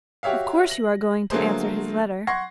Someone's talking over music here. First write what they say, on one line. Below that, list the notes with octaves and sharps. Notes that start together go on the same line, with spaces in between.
Of course you are going to answer his letter.
F#4 G4 C#5 E5 F5
A#6 F#7
D3 F#3 A3 A#3 G#4 C5
F#5 C6 C#6 G#6 A#6 C7